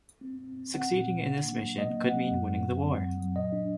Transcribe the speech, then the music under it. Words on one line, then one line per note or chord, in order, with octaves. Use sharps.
Succeeding in this mission could mean winning the war.
C4
C4
C4
C4 F#5
A#2
A#2
D4
A#3
F#3
A#3 D#5
A#3
F#5
F#3
F#2
C4
F#2
C4
F#3
F#3
A#2 D#5
D4